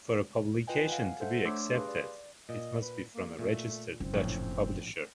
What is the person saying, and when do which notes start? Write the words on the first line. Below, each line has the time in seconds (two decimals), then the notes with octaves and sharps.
For a publication to be accepted, it must be from a registered Dutch publisher.
0.67 F4 B4 D#5 G5 G#5
0.88 F5 F#5 G#5
1.20 A4 C5 E5 F#5
1.45 A3 D4 C#5 C6 D6 E6
1.71 G4 G#4 B4 F5 C6
1.88 D5
2.49 A#2 D#5
2.82 B4
3.15 A#3
3.39 A#2 A3
4.00 F#1 C4
4.14 A#1 A2 C#5